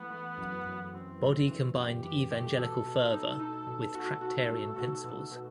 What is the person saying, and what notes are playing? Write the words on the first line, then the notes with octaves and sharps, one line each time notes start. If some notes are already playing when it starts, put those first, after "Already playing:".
Body combined evangelical fervour with tractarian principles.
Already playing: E3 A3 B3
A3
F#2
F#2
B3
F#2 C4
F#2
E3
F#2 G4
E3 G4
A3 G4
B2 A4
B2
D#4
D#4
B2
F#4
F#4
A3
F#4
B2
B2